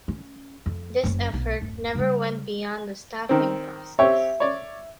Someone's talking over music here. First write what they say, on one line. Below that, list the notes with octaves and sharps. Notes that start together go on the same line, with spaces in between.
This effort never went beyond the staffing process.
C#4
F2
F#1 C#4
B1
D1 F#2
C#3 G3
D#3 C4
C4 G4 C#5 E5
C#5 D5